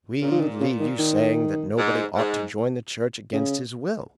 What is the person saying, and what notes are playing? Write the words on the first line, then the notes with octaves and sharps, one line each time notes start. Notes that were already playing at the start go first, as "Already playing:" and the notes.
We leave you saying that nobody ought to join the Church against his will.
A#2 C#3
F3
D#3
C#3
D#3
D#3
G#2
G#2
C#3